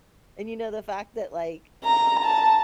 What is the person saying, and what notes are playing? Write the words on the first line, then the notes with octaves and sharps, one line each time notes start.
And you know the fact that, like,
A#5
A5